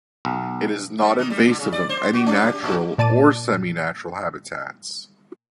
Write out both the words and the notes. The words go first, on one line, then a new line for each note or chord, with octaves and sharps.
It is not invasive of any natural or seminatural habitats.
B1
G3
D#3
G3
D3
C#3
D5
C5
F#4
C#4
G4
A2
A#2 D5 A5 A6 D#7